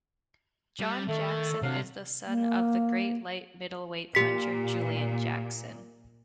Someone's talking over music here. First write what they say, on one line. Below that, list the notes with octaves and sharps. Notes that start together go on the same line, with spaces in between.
John Jackson is the son of the great light-middleweight puncher Julian Jackson.
G3
D#3 A3 A4
C3 F#3 D4 F5
A#3
A#2 G4 B6